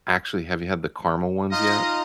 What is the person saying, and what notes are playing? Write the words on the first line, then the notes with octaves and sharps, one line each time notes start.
Actually, have you had the caramel ones yet?
D#4 F4 D#5 F5